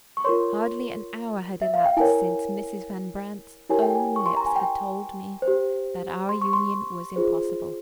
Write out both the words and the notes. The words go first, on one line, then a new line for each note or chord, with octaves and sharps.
Hardly an hour had elapsed since Mrs. Van Brandt's own lips had told me that our union was impossible.
C#6
F4 A#4 C#5 C6
E5
F5
G5
E4 A#4 C#5 G#5
E4 G4 A#4 C#5 G#5
G5
G#5
C#6
C6
A#5
G#5
G5
C5
G4
C6
C#6
C6
F4 G#4 C5